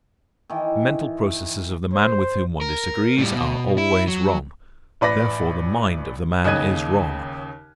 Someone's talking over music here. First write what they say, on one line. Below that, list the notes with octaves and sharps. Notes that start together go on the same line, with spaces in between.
The mental processes of the man with whom one disagrees, are always wrong. Therefore the mind of the man is wrong.
D#3 E3
C5
A#4
A2 G3
B2
E4
F#3
A1 B4 D5 B5 A#6
D#2 C#3 D#5 F#6 G#6 D#7